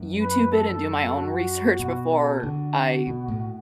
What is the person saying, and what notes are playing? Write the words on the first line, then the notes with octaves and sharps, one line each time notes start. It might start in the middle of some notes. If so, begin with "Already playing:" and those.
YouTube it and do my own research before I
Already playing: F#2
B4
A4
F#4
B2 F#4
A4
D3 F#4
B2
A2